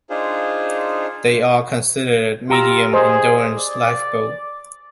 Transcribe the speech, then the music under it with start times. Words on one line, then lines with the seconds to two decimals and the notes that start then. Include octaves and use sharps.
They are considered "medium endurance" lifeboats.
0.10 D4 D#4 F4 G#4 C5
2.50 F4 G4 A#5 E6
2.93 G#4 C5 D#5
3.55 D5